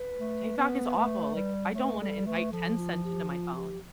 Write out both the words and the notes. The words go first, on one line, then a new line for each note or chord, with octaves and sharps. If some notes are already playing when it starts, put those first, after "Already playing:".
TikTok is awful, like, I don't wanna invite Tencent into my phone.
Already playing: B4
A3
B3
A3
G3
A3 B4 C#5
G3 A4
A3 B4
F3 A4
F4
G4
F4
G4